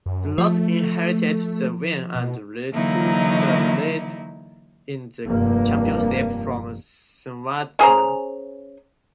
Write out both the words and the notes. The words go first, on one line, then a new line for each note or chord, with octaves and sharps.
Ilott inherited the win and retook the lead in the championship from Shwartzman.
F#2
F3 A3
B2
D3 E3 F#3 A#3 D#4 E4
F1 G2 A#3
C#4 G#4 C5 A#5